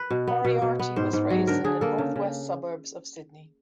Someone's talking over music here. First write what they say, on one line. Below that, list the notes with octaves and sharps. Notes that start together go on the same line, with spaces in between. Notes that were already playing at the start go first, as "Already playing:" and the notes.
Moriarty was raised in the north-west suburbs of Sydney.
Already playing: B4
B2
B3
B2
B2
B3
G#2 C5
G#2
F#3
D3 A#4
D3 G#4
A#3 A4
C#3
C#3